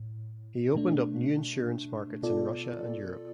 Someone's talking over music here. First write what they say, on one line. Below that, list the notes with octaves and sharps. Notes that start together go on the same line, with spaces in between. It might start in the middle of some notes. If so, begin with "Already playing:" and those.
He opened up new insurance markets in Russia and Europe.
Already playing: A2
B2 A3 D4
B2 B3 F4 A4 D5